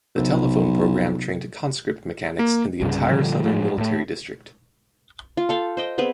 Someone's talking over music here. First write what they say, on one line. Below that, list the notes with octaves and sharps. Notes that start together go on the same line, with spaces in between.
The Telephone Program trained conscript mechanics in the entire Southern Military District.
B1 C3 F#3
A#3
C2 G2 C#3
A#2 D3 F3 G3
A2 F3 F#3 G#3
A2 A3
F4
A4 F5 G5
C5 D#5 G5
B3 C4 G#4 B4